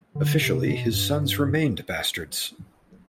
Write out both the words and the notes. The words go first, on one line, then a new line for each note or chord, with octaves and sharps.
Officially his sons remained bastards.
D3
C3
B2
G2